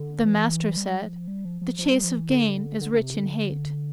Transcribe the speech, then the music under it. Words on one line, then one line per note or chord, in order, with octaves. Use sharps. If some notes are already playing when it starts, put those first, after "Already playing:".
The Master said, The chase of gain is rich in hate.
Already playing: D3
E3
G3
F3
G3
F3
F3
F3
G3
F3
E3
D3
D3
D3
C3
D3